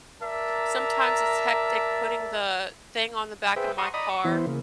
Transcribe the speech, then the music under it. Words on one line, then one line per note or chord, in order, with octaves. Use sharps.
Sometimes it's hectic putting the thing on the back of my car.
A#4 D5 E5 A5 A#5
G#4 B4 C5 E5 G5
F#5 A#5 C6 C#6 D#6
D5 D#5 A#5 B5 D#6
C#6
E3 B3 E4 C5
C#3 A#3